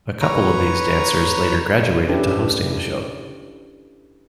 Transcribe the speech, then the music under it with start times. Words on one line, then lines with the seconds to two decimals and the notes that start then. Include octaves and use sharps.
A couple of these dancers later graduated to hosting the show.
0.21 B4 C#5 A#5
2.09 C#4 D4 E4 G4 A4 B4